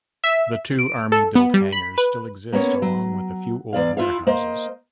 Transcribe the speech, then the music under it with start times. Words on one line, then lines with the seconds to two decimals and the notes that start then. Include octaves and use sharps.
The two Army built hangars still exist along with a few old warehouses.
0.24 E5
0.79 D7
1.12 A4
1.35 B3
1.54 G3
1.73 B5
1.98 B4
2.53 A#3 B3 C#4 C#5
2.82 F#3
3.73 E2 D5 F5
3.97 E4 F4 E5 F5
4.27 A#3 C5 D#5